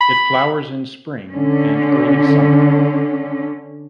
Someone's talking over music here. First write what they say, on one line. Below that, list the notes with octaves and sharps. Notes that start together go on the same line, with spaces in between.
It flowers in spring and early summer.
B5
D3 C#4